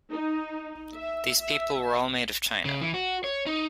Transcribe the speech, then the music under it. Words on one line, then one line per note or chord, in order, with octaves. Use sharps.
These people were all made of china.
D#4
E5
E5
C#3
E3
F#4
C#5
D#4